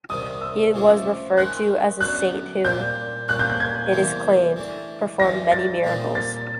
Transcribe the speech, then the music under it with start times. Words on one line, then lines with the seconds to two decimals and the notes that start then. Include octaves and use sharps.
He was referred to as a saint who, it is claimed, performed many miracles.
0.09 C2 C3 D#3 G3 D#6
0.41 E6
0.73 C#2 C3 F3 A3 D4
1.37 D#3 G#3 C4 F#6
2.01 F#2 D3 F#3 B3 D4 F#6
2.65 A#2 G3 C4 G6
3.28 A#2 G3 A#3 C#4 F#6
3.39 G6
3.50 G6
3.60 G#6
3.92 E2 C3 E3 G3 A#3
4.56 E3 A3 D4
5.19 G2 E3 G3 A#6
5.52 A6
5.83 A#2 G3 C4 D#4
6.15 A6